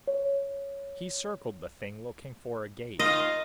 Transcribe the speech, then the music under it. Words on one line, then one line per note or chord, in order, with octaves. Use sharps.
He circled the thing, looking for a gate.
C#5
D#3 F4 D#5